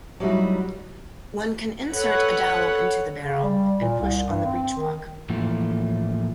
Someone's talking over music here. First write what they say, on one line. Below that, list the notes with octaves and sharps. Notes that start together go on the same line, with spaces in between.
One can insert a dowel into the barrel and push on the breech block.
F#3 G3 A3 D#4 E4 F#4
A4 B4 C#5 F#5
C#3
G3
A#2
C2
G2
C4
D#3
A2 E3 F3 A3 A#3